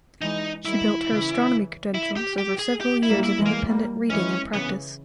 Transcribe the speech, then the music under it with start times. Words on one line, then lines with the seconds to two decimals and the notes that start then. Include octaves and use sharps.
She built her astronomy credentials over several years of independent reading and practice.
0.22 E3 G#3 D#4
0.65 D#3 G3 E4
1.08 C#3 E3
1.94 E4
2.16 G4
2.38 G4
2.59 G#4
2.81 G4
3.03 E4
3.09 G3 A#3
3.24 E4
3.38 E3 G#3
3.46 A#3
3.67 G3 A#3
4.10 E3 G#3 C#4
4.53 C#3 E3 B3